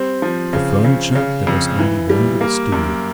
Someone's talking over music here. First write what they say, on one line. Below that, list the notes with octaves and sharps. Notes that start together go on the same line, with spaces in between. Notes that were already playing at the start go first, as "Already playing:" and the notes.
For furniture there was only one little stool.
Already playing: G3 C4
F3
C#3
C#3
C#3
F2
E3
G3
A#3
F#2